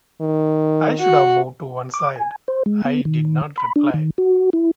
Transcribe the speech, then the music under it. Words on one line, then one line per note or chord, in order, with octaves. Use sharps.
I should have moved to one side. I did not reply.
D#3
F#4
D6
G#5
C5
G#3
B3
D#3
B5
D4
D#3
F#4
E4